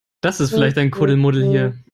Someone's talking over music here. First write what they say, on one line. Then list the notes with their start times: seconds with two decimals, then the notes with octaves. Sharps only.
Das ist vielleicht ein Kuddelmuddel hier.
0.52 A3
0.96 G3
1.39 G3